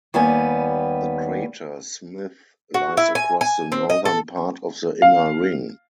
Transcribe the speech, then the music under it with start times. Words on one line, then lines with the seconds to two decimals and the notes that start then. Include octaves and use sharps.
The crater Smith lies across the northern part of the inner ring.
0.14 D#2 G3 B3 G#5
2.74 F#4
2.97 E4
3.15 G#5
3.41 G#5
3.72 C4
3.90 D#5
4.05 A4
5.02 F5